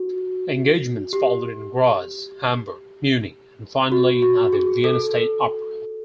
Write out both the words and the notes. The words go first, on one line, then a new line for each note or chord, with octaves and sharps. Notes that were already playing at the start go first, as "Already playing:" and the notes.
Engagements followed in Graz, Hamburg, Munich and finally at the Vienna State Opera.
Already playing: F#4
G4
F#4
F#4
G#4
A4